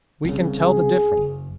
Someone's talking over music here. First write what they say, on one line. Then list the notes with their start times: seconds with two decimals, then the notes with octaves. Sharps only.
We can tell the difference.
0.25 C2 C#3
0.59 G#4
1.17 F#1